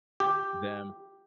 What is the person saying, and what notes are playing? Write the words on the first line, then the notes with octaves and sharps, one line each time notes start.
Yeah. Them
G4